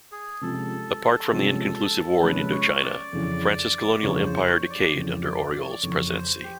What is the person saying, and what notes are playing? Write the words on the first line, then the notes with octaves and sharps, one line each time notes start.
Apart from the inconclusive war in Indochina, France's colonial empire decayed under Auriol's presidency.
G#4
C3 F3 G#3 C#4 F4 A4
C3 F3 G#3 C#4 F4
C3 F3 G#3 C#4 F4 B4
C#5
D5
F2 C#3 E3
F2 C#3 E3 C#5
C5
C#5
D5
F2 C#3 E3
D5
D5
C#5
D5
F2 C#3 E3 C#5
C5
G4